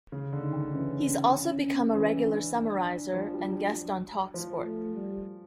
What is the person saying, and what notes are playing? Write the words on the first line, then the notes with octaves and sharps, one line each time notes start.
He's also become a regular summariser and guest on Talksport.
C#3
D3
D#4
D#3
E3 C#4
C#4
E3 C#4
D4
D4
F3
G3
F#3
F3
A3
G3